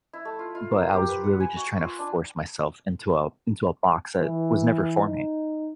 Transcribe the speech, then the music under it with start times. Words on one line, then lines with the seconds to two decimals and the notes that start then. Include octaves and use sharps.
but I was really just trying to force myself into a into a box that was never for me.
0.13 E4
0.25 A3
0.39 F4
0.55 F4
0.72 A#4
0.94 G4
1.09 B4
1.24 F#5
1.40 G#5
1.57 F#4
1.79 F4
1.99 D4
4.20 E3
5.02 D#4